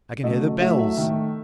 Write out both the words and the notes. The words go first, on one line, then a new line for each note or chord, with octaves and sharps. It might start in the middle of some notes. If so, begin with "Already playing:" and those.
I can hear the bells!...
C#3 F#3 A3 D#5
A2 F#3 A3 E5
E5
D#3 A3